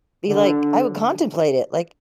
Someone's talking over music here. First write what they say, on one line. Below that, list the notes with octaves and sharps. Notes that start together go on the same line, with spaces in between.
be like I would contemplate it, like,
D3